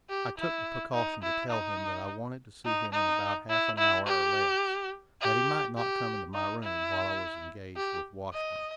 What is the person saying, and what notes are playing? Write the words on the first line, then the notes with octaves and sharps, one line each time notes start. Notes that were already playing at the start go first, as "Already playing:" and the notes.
I took the precaution to tell him that I wanted to see him in about half an hour or less, that he might not come into my room while I was engaged with Washburn.
G4
E4
D#4
E4
D#4
D#4
D#4
E4
E4
G4
G4
G4
D#4
E4
G4
D#5